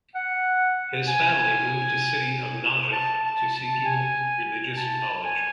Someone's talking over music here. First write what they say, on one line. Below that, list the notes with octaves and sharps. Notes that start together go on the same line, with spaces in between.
His family moved to city of Najaf to Seeking Religious knowledge.
F#5
G#5
A5
A5
A5
G#5
A5
G#5